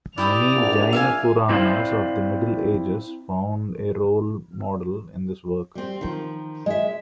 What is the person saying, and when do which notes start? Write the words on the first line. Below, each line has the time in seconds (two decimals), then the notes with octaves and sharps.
Many Jaina Puranas of the Middle Ages found a role model in this work.
0.18 E4 G4 D5 D#6 F7
0.55 A#1
0.93 E5 F5 G#5
1.49 C4 E4 C5 D5 F5
5.75 G3 C4
6.01 D#3 F3
6.66 G#3 D#5 E5